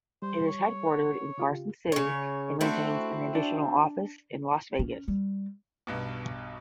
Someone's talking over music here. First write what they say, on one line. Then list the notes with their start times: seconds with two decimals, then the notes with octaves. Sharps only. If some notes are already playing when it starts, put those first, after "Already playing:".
It is headquartered in Carson City and maintains an additional office in Las Vegas.
0.22 G3 C5
0.47 C#5
0.87 F#5
1.38 C#3 F4 G4
1.92 C#3 C#5
2.61 A3 C4 D4 E4 F#4 A4
3.35 D4
4.79 C#4
5.08 G3
5.87 B1 G2 B2